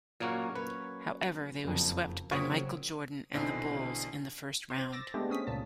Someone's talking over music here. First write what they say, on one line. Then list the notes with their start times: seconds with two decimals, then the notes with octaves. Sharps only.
However they were swept by Michael Jordan and the Bulls in the first round.
0.20 A#2 F#3 A#3 C#4 F#4
0.55 A#3 B4 C#5
1.64 F#1 F2
2.31 A#2 C#3 F#3 C4 C#6 D#6 B6
3.35 A#1 B2 D3 E3 C4 D#4
4.70 C5
4.92 D6 E6 A6 A#6
5.14 G#3 A3 B3 D4 G4
5.29 C4 C#4 D#6 B6
5.47 C#2 A#2 A5